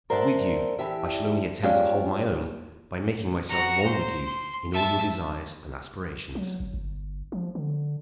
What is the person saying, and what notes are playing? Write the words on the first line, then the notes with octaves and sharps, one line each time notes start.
But with you I shall only attempt to hold my own by making myself one with you in all your desires and aspirations.
A#4 C5 D5 E5 F#5 A5
E3 D4 G4 E5
G#3 C#4 D4 F4 G4
F#4 A#5
C5
C6
E5 A5
F#3
G1
G1
F3
D3